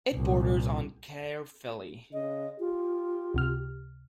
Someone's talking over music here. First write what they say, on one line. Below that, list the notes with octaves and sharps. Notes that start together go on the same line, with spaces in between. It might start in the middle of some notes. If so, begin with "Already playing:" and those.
It borders on Caerphilly.
C2 A#2
C#3 D#5
F4 G4
C#2 C3 F6